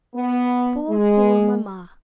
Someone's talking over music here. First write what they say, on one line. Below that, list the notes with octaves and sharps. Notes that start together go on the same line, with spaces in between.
Poor, poor mamma!
B3
G#3